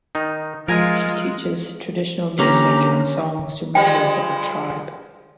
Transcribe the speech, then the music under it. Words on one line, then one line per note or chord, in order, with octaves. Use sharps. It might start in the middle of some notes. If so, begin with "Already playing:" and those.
She teaches traditional music and songs to members of her tribe.
D#3 D#4
F3 G#3 F4 A#4 G#5 A#5
D3 A#3 C#4 G4 A#5
F3 G3 G#3 G5